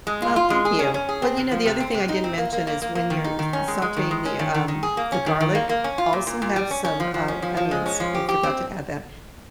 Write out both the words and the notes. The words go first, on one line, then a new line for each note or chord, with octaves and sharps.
Well, thank you. Well, you know, the other thing I didn't mention is when you're s sauteing the, um, the garlic, also have some, uh, onions. I forgot to add that.
G#3
F4
F4
G#3
G#4
C#4
C#4
G#4
C4
C3
F3
C3
C4
C3
D#4
C4
A#3
A#3
A#3
A#3
A#3
D#3
D#4
D#3
C#4
G#3
G#3
D#3
G#3
C#4
D#3
D#3
D#3
G#4
A#3
C#4
D#3
D#3
A#3
A#3
C#4
F4
A#2
A#2
A#2
G3
C#4
C#4
F3
F3
C#4
F3
F3
G#3
C#4
F3
G4
G4
C4